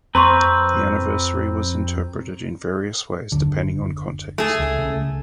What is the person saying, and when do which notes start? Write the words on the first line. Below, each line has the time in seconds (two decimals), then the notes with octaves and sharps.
The anniversary was interpreted in various ways depending on context.
0.15 F2 C4 B4 A#5 C6 C#6
3.32 F#1 D#2 D3
4.38 A3 G#4
4.59 C#2
4.79 C2 C#3